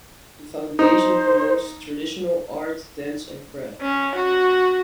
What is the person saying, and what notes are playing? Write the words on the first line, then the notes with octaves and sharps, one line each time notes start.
The foundation promotes traditional art, dance and craft.
D#4 C5
C#4
F#4